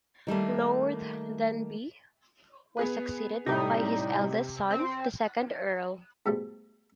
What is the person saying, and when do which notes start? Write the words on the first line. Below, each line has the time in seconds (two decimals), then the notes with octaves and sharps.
Lord Denbigh was succeeded by his eldest son, the second Earl.
0.27 D#3 G3 A3 A#3
2.77 B3 G#4 B4
3.46 A2 C3 G3 D#4 G4
4.70 C4
6.26 G#2 B2 G3 A3